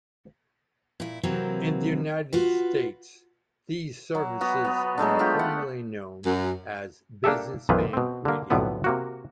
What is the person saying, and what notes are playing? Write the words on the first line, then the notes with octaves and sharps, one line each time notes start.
In the United States these services are informally known as business band radio.
A#2 E4
C3 E3 F#3 A#3 C4
F4 F#4 B4
F#3
B3 F#4 B4
B3
F#3 G#3 A3 D4
D4 F4 G4
F#5
F#2
A#3 D4 G4 A4 E5
B1 F#2 D#3 E3 F4 B4
B2 C4
D3 A#3
B1 F2 A2 D3 B3 B4
C3 A#3 F#4